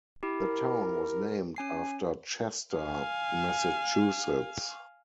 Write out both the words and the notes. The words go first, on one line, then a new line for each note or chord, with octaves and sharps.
The town was named after Chester, Massachusetts.
E4 G4
A#4
C#4 G#5 C7
F5 G#5